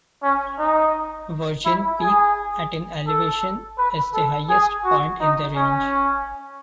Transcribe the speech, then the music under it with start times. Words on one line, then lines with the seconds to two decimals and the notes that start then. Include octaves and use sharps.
Virgin Peak, at in elevation, is the highest point in the range.
0.22 C#4
0.58 D#4
1.65 E4
2.00 G#4
3.07 A4
3.78 B4
4.14 A4
4.49 G#4
4.84 F#4
5.20 D#4
5.55 C#4